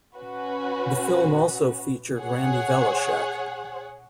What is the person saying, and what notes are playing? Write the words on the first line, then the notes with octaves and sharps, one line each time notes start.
The film also featured Randy Velischek.
C#4 F#4 B4
G#4 C#5 F#5